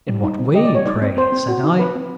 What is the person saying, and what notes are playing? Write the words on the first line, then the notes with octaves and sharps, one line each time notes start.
'In what way, pray?' said I.
G3
D#4
C4
G4 D#5
D5
G3 C#5
D#4 D5
C4
C4 C5
C4
F#4
D#4
C4 B4
C4